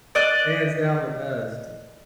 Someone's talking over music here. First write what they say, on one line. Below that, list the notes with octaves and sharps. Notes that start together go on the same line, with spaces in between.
hands-down the best!
D5 D#5 F#6